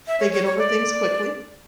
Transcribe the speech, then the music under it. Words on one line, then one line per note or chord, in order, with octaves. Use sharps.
they get over things quickly,
E5
C#5
C#5
C#5
D5